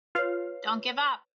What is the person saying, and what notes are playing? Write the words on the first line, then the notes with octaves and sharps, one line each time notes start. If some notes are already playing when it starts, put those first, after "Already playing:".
Don't give up!.
F4 B4 C#5 F5